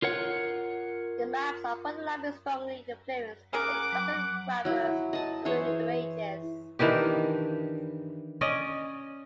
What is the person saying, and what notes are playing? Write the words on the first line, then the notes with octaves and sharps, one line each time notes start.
The maps of Ptolemy strongly influenced the cartographers of the Middle Ages.
F4 A#4 C#5 F#5
C#4 G#4 A#4 F#5 D6
F#3
F#3 E4
D#5 A5
E3 G#4 C5 C#5
D#3 E3 D4 G4
C#4 D5 D#5